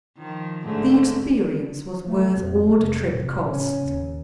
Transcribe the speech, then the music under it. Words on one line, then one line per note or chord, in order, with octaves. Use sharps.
"The experience was worth all the trip cost."
D#3 F3
G#2 D3 A3
A3
F2
F1
A2 C3
C#3 C#4
D#2